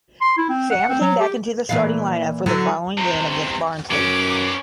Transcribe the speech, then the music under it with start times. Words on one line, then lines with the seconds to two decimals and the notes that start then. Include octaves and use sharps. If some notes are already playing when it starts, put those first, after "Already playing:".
Sam came back into the starting lineup for the following game against Barnsley.
0.21 C6
0.38 E4
0.49 C4
0.71 F#5
0.89 C4
1.01 F#3
1.20 G4
1.69 A#2 E3 F5
2.46 D3 F#3 E4
2.98 E2 C3
3.91 F#2 B3 C#4 D6